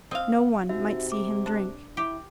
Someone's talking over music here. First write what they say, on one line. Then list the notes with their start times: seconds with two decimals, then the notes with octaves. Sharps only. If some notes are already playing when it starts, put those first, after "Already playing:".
No one might see him drink.
0.11 C4 D#5 F5
0.69 C3 D#4 F#4 E5
1.12 D6
1.46 D4
1.97 E4 G4